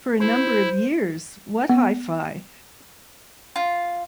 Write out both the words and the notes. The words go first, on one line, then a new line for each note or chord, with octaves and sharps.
For a number of years, What Hi-Fi?
E4 C5
B3
F4